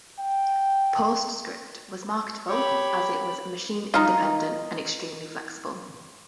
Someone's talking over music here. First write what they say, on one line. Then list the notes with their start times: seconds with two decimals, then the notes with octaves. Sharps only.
PostScript was marketable as it was machine-independent and extremely flexible.
0.19 G5
2.48 G4 C#5 B5
3.94 D#4 F4